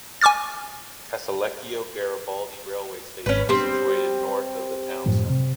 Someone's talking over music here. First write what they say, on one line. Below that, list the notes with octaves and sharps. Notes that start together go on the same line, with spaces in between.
Casalecchio Garibaldi railway station is situated north of the town centre.
G#5 C#6 D6 F6 A6
G#1 C#4 B4
G3 B3 C4 D4
F#2 A2 F3
C3